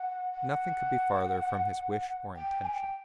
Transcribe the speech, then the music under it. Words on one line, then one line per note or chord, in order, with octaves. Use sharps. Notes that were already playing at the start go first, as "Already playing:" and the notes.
Nothing could be farther from his wish or intention.
Already playing: F#5
F#5
G5
G#5
G5